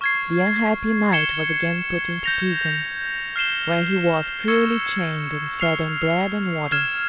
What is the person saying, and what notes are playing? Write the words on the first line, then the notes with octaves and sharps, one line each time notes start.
The unhappy knight was again put into prison, where he was cruelly chained and fed on bread and water.
C#6 F6 G#6 C7
G#6 C#7 E7 G7
G6 A#6 F7
F6 C7 E7 G7
C#6 E6 G#6 C#7
F6 C7 F7
F6 G#6 E7